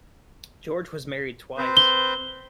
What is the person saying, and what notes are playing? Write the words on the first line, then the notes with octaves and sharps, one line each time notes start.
George was married twice.
C4 B4 C5
G7